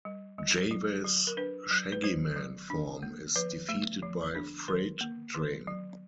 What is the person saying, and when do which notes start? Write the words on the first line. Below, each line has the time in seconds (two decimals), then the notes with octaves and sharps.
Java's Shaggy Man form is defeated by Freight Train.
0.05 G3
0.38 G3
0.71 F#3
1.04 F#3
1.27 A#4
1.37 D4 B4
1.71 F#3
1.92 B4
2.03 F#3 C5
2.36 F#3
2.70 D4
3.03 A#3
3.36 F3 B4
3.69 A3
4.02 F3
4.35 D4
4.68 D#3 A#4
5.01 A#3
5.35 D#3
5.67 F#3